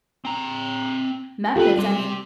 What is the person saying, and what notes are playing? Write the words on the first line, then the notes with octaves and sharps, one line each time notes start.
methods. I mean,
C4 A#5
D#2 F4 G4 A4 B4
G3 G4 C6